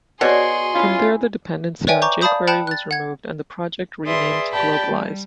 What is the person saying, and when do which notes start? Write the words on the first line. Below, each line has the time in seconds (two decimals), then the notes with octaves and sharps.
From there the dependency on jQuery was removed and the project renamed to Globalize.
0.21 B2 F#4 G#4 C#5 D5 C6
0.75 C#4 E4 F4
1.87 B4 C#5 D5 E5 G5 G#5
2.02 A#5 C#6 D6 G6
2.21 D5 F5 A5 B5 D#6 G6
2.47 G5 A5 B5 F#6 C#7 E7
2.67 F#6 A6
2.91 F#5 G#6
4.04 G#4 B4 D5 E5 C6 D#6
4.51 G4 D5 G5 A5 B5
4.88 G3